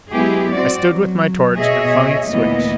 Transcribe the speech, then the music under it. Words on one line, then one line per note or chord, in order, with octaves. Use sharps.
I stood with my torch and flung its switch.
F#3 G#3 B3 E4 G4 G#4
C4 F#4 D5
F#3
B2 G#4 C#5 D#5 E5
D2 A#2 E3 B3 D#5